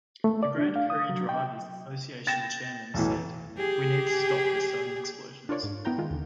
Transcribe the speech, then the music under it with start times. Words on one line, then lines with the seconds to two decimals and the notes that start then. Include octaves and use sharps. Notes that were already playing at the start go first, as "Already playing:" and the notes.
The Grand Prix Drivers' Association chairman said: We need to stop the sudden explosions.
0.24 A3
0.43 D5
0.57 D4
0.76 F5
0.90 D#6
1.09 F#3
1.29 G5
2.27 G5 A6 A#6 E7
2.94 B1 A2 E3
3.57 G4 G#4
5.49 D4 F4 A#4 C#5 D5
5.63 G#2
5.85 B3 E4 G5 A#5 G6
5.98 D#3 G#3 F4
6.11 D#2 D3